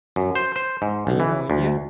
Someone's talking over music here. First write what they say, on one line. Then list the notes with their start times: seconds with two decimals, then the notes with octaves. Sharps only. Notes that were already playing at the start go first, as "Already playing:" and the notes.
"Then you know India?"
0.16 F#2
0.35 C5
0.56 C5
0.82 G#2
1.07 B1
1.20 E3
1.50 D2